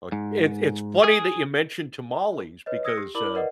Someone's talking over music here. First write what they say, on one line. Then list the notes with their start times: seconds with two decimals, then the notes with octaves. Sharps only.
Ok It's it's funny that you mentioned tamales because, uh,
0.12 G#2
1.04 G#4
2.66 B4 C#5 D#5
2.84 D#6 E6 G#6 A#6 C#7
2.97 G4
3.15 E4 A#4 D5 B5 D6 F#7
3.35 A#4 B4 D5 D#5 F#5